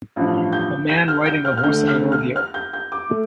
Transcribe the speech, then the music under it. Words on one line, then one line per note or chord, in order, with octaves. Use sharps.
A man riding a horse at a rodeo.
A1 G2 F3
G6
G6
F6
G6
F6
F6
D2 D3 A3 G6
F6
F6
F6
G6
G6
D6
A3